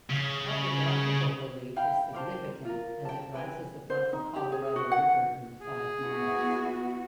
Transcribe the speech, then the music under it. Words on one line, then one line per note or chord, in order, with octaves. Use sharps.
Topographic relief is significant as it rises above the Colorado River in five miles.
C#3
E4 F5 G5 B5
G4 A#4 C5 A5
F4 A#4
G5 A5
B4 G5 G#5
C5
D#4
G4
G#4
F#4
F#5
G#4
B3 E4 F#4